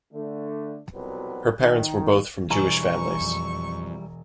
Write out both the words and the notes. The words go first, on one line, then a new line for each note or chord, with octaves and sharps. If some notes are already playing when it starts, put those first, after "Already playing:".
Her parents were both from Jewish families.
D3 A3
C2 F2 B2 F#3 F#4 B4
D#3
E1 E3 G3 E4 G#5 A#5 C#6
F2